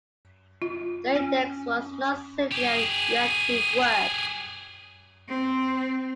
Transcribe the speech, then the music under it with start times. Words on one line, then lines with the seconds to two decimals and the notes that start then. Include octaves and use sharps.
The "Index" was not simply a reactive work.
0.62 F4
1.15 C#4
2.52 G4 G#4
5.29 C4